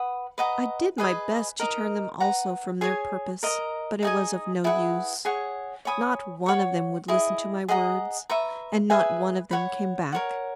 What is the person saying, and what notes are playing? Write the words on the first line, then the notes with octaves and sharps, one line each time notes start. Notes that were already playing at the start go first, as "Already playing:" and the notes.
I did my best to turn them also from their purpose, but it was of no use. Not one of them would listen to my words, and not one of them came back.
Already playing: B4 F#5 B5 D#6
B4 D#5 F#5 A#5
G#4 B4 D#5 G#5
D#4 A#4 D#5 A#5
B4 F#5 A#5
G#4 C#5 G#5
A#4 D#5 A#5
D#4 G#4 D#5 G#5
E4 G#4 B4 F#5
G#4 C#5 F#5
C#5 G#5 B5 D#6
C#5 F#5 C#6
E4 G#4 D#5
G#4 D#5 F#5 A#5
B4 E5 A#5 C#6
G#4 B4 E5 G#5
C#5 F#5 B5
A#4 C#5 F#5